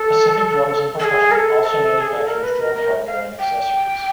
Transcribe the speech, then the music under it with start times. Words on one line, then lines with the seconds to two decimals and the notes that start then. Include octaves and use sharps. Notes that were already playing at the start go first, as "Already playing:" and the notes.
Pacific Drums and Percussion also manufactures drum hardware and accessories.
Already playing: A4
1.00 A4
1.04 G#4
1.31 A#4
1.35 A4
1.63 A#4
1.67 A4
2.00 G#4
2.13 A4
2.27 A#4
2.43 B4
2.59 A#4
2.75 A#4
3.07 F5
3.39 G5